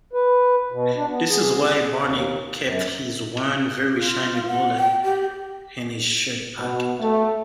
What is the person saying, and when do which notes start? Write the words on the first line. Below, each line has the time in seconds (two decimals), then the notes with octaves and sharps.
This is why Barney kept his one very shiny bullet in his shirt pocket.
0.13 B4
0.72 B2
0.96 D4
1.10 B3
1.29 G#4
2.01 D#2
2.60 F#2
3.94 F4
4.47 F#5
4.77 G5
5.04 G4
6.58 B2
6.98 A3